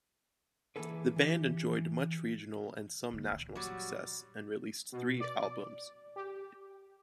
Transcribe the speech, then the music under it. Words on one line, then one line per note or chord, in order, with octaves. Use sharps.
The band enjoyed much regional and some national success, and released three albums.
E3 G3 A#3 G#4 A4 B4
E3 G4
D2 A#3
A#2 E3
F#3 G3
B2
D5
G4